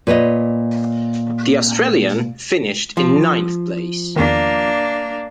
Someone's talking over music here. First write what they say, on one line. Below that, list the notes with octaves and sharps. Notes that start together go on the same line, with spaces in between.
The Australian finished in ninth place.
A#2 B4 C#5 D#5
F3
E2 D#3 A#3 D4